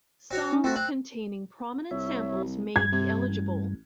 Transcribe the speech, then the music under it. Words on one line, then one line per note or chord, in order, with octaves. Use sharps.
Songs containing prominent samples may be eligible.
C4 F#4 C#5
C#4
A3 C4 F#4
C4 F#6
C2 C#5 E5
G2 G#6
C3
A1